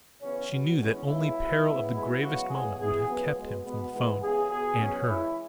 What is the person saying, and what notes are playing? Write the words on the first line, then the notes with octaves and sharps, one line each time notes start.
She knew that only peril of the gravest moment would have kept him from the 'phone--and her.
C#3 E3 B3 C#4
B2 F#3 B3
E3 G#3 B3 C#4
C#3 E3 G#3 B3 E4
B2 F#3 B3
C#3 G#3 B3
B2 G#3 B3 E4
C#3 F#3 B3 F#4
C#3 E3 G#3 B3 G#4
E3 B3 G#4
C#3 F#3 B3
B2 G#3 B3
B2 G#3 B3
E3 G#3 B3
C#3 E3 B3 G#4
B2 B3 G#4
B2 F#3 B3 C#4
C#3 E3 G#3 E4